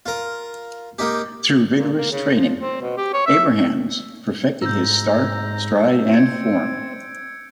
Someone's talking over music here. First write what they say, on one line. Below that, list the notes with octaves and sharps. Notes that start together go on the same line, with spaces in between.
Through vigorous training, Abrahams perfected his start, stride and form.
F4 A#4
A#3 D#4 G4
A#2
A#3
C#3
F3
C4
B2
G4
C#5
E5
G#2 A#5 E6 G6
C4 G#6 C#7 D7